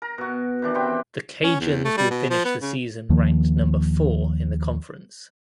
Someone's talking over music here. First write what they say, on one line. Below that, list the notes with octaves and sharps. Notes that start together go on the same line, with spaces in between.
The Cajuns will finish the season ranked number four in the conference.
A#4 A#5
B2 F#4
D#3 E3 D4
B3 C4 G4 G5
C#4
E2
A3
G3
B2
F3
B3
C#3
D#2 D#3 F3 A#3